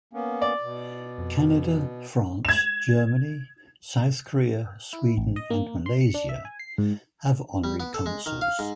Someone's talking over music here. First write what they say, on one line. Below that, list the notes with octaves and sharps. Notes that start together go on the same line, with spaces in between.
Canada, France, Germany, South Korea, Sweden and Malaysia have Honorary Consuls.
A#3 B3 C#4
D5
B2
F2
G#6 E7
E4
A1
D#5
A#3
C6
C#7
D4
E5
G#5
C7
G#2
G3
B3
A4
G#3
D#3
F5
G#2